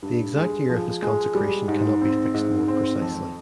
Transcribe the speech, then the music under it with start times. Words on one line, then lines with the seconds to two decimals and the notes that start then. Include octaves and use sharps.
The exact year of his consecration cannot be fixed more precisely.
0.02 G2
0.36 G#3
0.69 F3
1.02 G#3
1.35 G3
1.68 G#2
2.01 C4
2.34 G#2
2.68 C4
3.02 F2